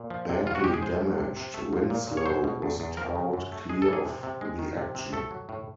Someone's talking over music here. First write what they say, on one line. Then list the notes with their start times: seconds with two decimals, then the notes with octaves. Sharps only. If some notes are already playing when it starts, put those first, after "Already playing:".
Badly damaged, "Winslow" was towed clear of the action.
Already playing: A#2
0.10 F3
0.29 C3
0.46 E2 F4
0.55 F#4
0.64 G#3 G4
0.74 G#4
0.82 G#3 C5
1.01 F3
1.18 C3
1.36 C3
1.54 A3
1.73 F3
1.90 A#2
2.07 A#2
2.17 C#5
2.26 F#3 C5
2.44 B2
2.62 E2
2.80 E2
2.97 F3 A#4
3.15 C#3
3.33 F#2
3.52 A3
3.69 G#3 G#4
3.82 A4
3.88 E3
3.93 G#4
4.05 C3
4.23 C3
4.41 G#3
4.59 D#3
4.77 C3
4.95 C3
5.13 A3 A4
5.31 F#3
5.49 A2